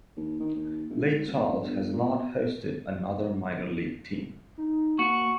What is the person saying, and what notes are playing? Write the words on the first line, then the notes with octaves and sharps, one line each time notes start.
Lake Charles has not hosted another minor league team.
D#2
D#3
D#2
G1
G#2
D#1
F1
G1
A#2
B2
D#4
A#3 F#4 C#6